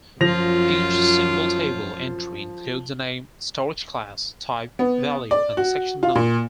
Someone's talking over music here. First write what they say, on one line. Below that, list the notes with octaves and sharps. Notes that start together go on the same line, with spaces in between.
Each symbol table entry includes a name, storage class, type, value and section number.
F#2 F3 F4 A#6 F7
B3
D5
F#4
F4
A#2